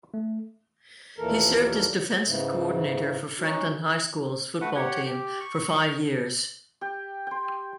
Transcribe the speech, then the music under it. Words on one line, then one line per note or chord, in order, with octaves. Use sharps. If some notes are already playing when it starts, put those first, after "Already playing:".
He served as defensive coordinator for Franklin High School's football team for five years.
A3
D#2 A#2 E3 A4 A#4
G#2 C#3 E3
C#4 D#4 F#4
A3 F#4 B4 F#5
G4 C#5 F#5
G4
C#6
G4 G5
G5 C6